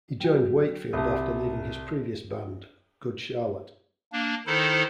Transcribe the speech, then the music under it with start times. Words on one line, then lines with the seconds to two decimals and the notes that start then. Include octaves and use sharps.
He joined Wakefield after leaving his previous band, Good Charlotte.
0.20 F#3 F#4
0.93 C2 D5 A5
4.12 A#3 D4
4.47 D#3 D#4 E4 A4 C5